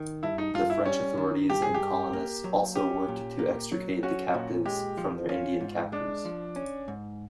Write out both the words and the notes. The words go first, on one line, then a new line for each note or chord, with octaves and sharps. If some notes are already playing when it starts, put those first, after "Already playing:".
French authorities and colonists also worked to extricate the captives from their Indian captors.
Already playing: D#3
G2 E4
D#4
G2 F4
E4
G3 C#4
D#3
G2 G4
G#4
G4
G2
A#3
F#3
C#4 G4
A#2
A#3
F#3
C#4 F#4
A#2
G#3 G4
F3
C#4 F4
G#2
G#3 D4
F3
C#4
G#2